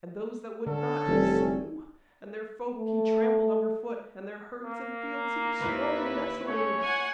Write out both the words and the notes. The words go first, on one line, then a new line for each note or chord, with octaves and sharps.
And those that would not he slew, and their folk he trampled underfoot, and their herds and fields he destroyed and desolated.
D3 C#4 A4
F1 E3 G3
A3
A#3
D#2 E4 B4
A3 C#4 C#5
F#5 G#5 G#6